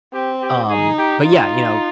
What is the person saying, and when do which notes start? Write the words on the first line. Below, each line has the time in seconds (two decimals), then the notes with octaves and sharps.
Um, but yeah, you know,
0.13 C4 G4
0.42 G4
0.69 D#4 G#4
0.98 G4
1.25 D#4 F4